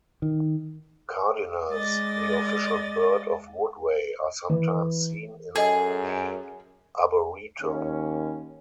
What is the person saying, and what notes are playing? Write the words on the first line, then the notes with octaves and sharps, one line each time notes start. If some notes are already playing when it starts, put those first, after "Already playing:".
Cardinals, the official bird of Woodway, are sometimes seen in the arboretum.
D#3
G#3 D5 D#5 A6
E3
F#2 G#4 A4 D#5 G#5
D#2 C#4